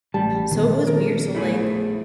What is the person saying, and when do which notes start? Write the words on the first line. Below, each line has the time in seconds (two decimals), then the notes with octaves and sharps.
So it was weird. So like,
0.14 A1 G3 A5
0.51 A#1 D#3 B3
0.87 A#4
1.35 A3 E4 G#4